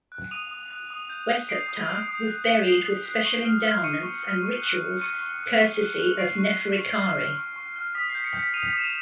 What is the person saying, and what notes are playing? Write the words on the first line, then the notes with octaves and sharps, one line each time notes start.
Weshptah was buried with special endowments and rituals courtesy of Neferirkare.
F#6
D#6 D#7 F7
D#6
F#6
D#6
G6
G6
D#6 C7 D7
D#6
G6
D#6
F#6
F#6
D#6 C7 D7
D#6
F#6
C#6
F6
F6
C#6 C#7 D#7
C#6
F6
C#6
F#6
F#6
C#6 C#7 D#7
C#6
F#6
C#6
F#6
F#6
C#6 C7 D7
C#6
C7
F#6
C#6
F6
F6
C#6
C#6
F6
D#6 B6
C7
G6
B6 C#7
G6 B6 C#7
D#6 D#7 F7
D#6 E7
D#7 F7